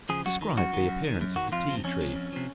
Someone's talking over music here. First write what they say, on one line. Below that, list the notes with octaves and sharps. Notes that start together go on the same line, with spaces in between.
Describe the appearance of the Tea-tree.
C#3 F3 G#4
F#2 F#4
D#3
F#2 F#4
D#3
F#2
D#3
F#2
D#3 F#4
F2 F4
C3 F3
F2 C#4
C3 F3
F2
C3 F3